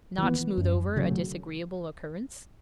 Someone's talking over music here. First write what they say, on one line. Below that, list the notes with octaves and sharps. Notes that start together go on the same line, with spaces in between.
'Not smooth over a disagreeable occurrence?'
E3 B3
F#2
C#3 F#3 A3